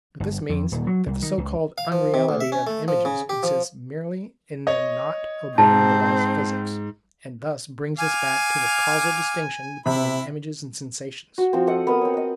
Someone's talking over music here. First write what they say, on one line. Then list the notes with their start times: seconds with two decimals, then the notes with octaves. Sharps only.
But this means that the so-called "unreality" of images consists merely in their not obeying the laws of physics, and thus brings us back to the causal distinction between images and sensations.
0.20 G1
0.49 F2
0.72 D#1
0.87 F#3
1.06 C2
1.22 D#3
1.38 C#2
1.78 F5
1.92 F3
2.14 C3
2.29 D2
2.41 E5
2.52 C#4
2.67 A3
2.88 F3
3.05 C#3
3.29 G4
3.43 F3
4.67 C#5 D#5
5.58 G#2 C4 C5 A5
7.98 F5 G#5 D6 F6
9.86 C3 E4 B5
11.38 F#4
11.53 F3 C4
11.67 A4 D#5 F#5
11.87 B3 A#4 D#6
12.01 C4 C#5
12.14 D#5 F#5